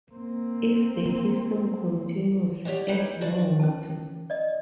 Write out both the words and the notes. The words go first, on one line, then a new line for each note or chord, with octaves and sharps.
If the hissing continues, add more water.
A#3 C4
G4 A4 C#5 D5 F#5
A#3 D#4 E4 B4 C5
D4 F#4 D5
C#4 A5
D5 D#5